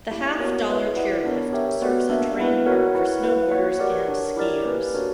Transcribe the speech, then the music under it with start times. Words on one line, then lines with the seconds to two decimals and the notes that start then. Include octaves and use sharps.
The Half Dollar chairlift serves a terrain park for snowboarders and skiers.
0.11 A#3 E4 G4
0.39 B3 F#4 A#4 C#5
0.68 E4 B4 E5
0.96 E4 G4 B4 D5 F#5
1.24 B3 D4 A#4 C#5
1.53 G4 A#4 C#5 E5 G5
1.82 B3 F#4 B4 D5
2.10 A#3 D4 A#4 E5
2.38 B3 E4 B4
2.66 F#4 A#4 C#5 F#5
2.95 E4 B4 F#5
3.23 A#3 E4 B4
3.52 F#4 C#5 F#5
3.79 G4 A#4 D5 F#5
4.08 D4 A#4 C#5
4.36 E4 G4 A#4 D5
4.65 A#3 C#4 G4 B4
4.94 D4 F#4 A#4 C#5